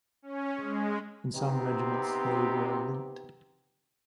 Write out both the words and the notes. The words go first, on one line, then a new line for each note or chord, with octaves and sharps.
In some regiments they were linked.
C#4
G#3
C3 B3 C4 D#4 G4